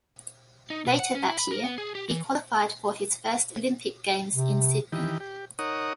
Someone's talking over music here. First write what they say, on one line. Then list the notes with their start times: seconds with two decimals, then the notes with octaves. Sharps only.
Later that year he qualified for his first Olympic Games in Sydney.
0.70 D#4
0.86 B2
0.99 F#5
1.15 C#4
1.28 E4
1.39 B5
1.51 A#4
1.64 B3
1.78 G#4
1.95 G4
2.10 E3
4.34 C3
4.92 D#3 E3 G4
5.20 G4
5.59 D#4 A#4 C#5 F#5 D#6